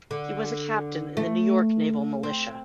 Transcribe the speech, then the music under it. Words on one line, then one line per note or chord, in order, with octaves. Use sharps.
He was a Captain in the New York Naval Militia.
D3
A3
C4